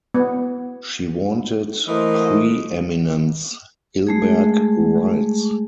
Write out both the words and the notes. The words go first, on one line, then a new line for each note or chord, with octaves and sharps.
"She wanted preeminence," Hilberg writes.
B3
E3 A3 A#3 C5 D#5
G#3 A3 G#4